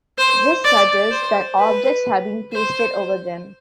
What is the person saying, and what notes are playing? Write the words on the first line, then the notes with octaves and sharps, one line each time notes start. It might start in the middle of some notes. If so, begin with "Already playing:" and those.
This suggests that objects have been "pasted" over them.
C5
D5
C5
B4
C5